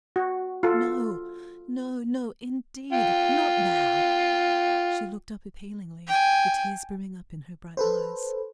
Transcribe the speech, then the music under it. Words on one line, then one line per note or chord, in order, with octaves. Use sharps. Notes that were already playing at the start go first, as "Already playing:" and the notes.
"No, no, no, indeed, not now!" She looked up appealingly, the tears brimming up in her bright eyes.
F#4
F4 A4
F4 G5
G5 G#5
A4 B4 C5